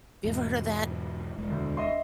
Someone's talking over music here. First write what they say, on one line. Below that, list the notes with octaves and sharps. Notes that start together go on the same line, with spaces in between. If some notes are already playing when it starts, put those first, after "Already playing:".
you ever heard of that
E2 G#2 B2
E1 G#3
D2
D#5 E5 C6